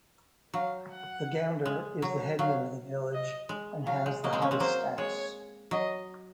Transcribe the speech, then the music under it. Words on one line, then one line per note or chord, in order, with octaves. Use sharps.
The "Gounder" is the headman of the village and has the highest status.
F#3 F5
F#5
G#3
F#3
F#3 F5
D#5
G#3
F#3 F5
G#3
F#3 A#3 D#5
G#3 C4
A#3 C#4
G#3 C4
F#3 A#3 C5
G#3 C#5
F#3 D#5